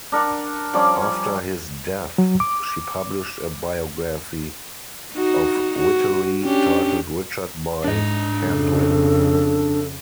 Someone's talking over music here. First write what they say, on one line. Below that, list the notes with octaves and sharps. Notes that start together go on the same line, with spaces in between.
After his death, she published a biography of Whiteley titled Richard by Kathryn.
D4 A#4 F#5
F3 G3 C#4 D5
F#3
D6
D#4 F#4
F#4
C#4 D4 G4
G#2 D4 D#5
F2 C#3 A4